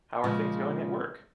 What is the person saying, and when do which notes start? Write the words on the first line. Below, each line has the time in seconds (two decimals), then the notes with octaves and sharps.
How are things going at work?
0.24 A#2 C#3 F3 G#3